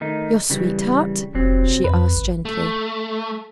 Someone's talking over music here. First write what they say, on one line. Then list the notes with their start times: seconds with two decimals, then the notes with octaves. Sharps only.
"Your sweetheart?" she asked gently.
0.01 D#3 A3 D#4
0.50 C#3 E3 G3
1.35 F1 C3 F#3 C4
1.84 F2 B4
2.15 G#1
2.45 A3